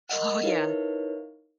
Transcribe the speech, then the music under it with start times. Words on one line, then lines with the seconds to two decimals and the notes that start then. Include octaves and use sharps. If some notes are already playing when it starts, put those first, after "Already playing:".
Oh yeah,
0.09 A#4 D#5 F#5
0.43 D#4 E4 A#4 B4 C#5 F5